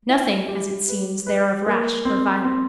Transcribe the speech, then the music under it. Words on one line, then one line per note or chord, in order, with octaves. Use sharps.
Nothing, as it seems, there of rash or violent.
E4
G4
B4
B4
A#3
C4
C4